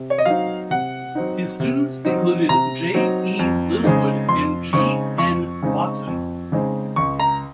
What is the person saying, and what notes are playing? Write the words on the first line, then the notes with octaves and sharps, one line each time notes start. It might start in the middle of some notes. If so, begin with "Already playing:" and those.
His students included J. E. Littlewood and G. N. Watson.
Already playing: C3
C#5
D#5
F#3 C4 D#4 F5
C3 F#5
F#3 C4 D#4
C3
F#3 C4 D#4
C3 A#5
F#3 C4 D#4
F2
C#3 G#3 C4 D#4
F2 C6
C#3 G#3 C4 D#4 C#6
F2 C#6
C#3 G#3 C4 D#4
F2
C#3 G#3 C4 D#4
C#2 C#6
A#5